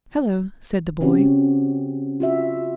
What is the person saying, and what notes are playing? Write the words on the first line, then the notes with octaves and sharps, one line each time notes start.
"Hello," said the boy.
C#3 C4 C#4 F#4 G4
F4 F#4 E5